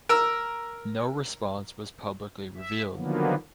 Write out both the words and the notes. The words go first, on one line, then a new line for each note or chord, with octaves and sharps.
No response was publicly revealed.
A#4 E6
E5
D3 D#3 F3 F#3 A#3 B3